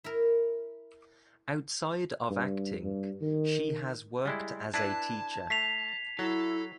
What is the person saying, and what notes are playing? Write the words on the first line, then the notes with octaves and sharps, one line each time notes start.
Outside of acting, she has worked as a teacher.
E4 A#4
G2
G2
D#3
G3 G#3 E4
D4 E4 B4 A5 G#6
A3 B6 C7 F7
F#3 E4 A4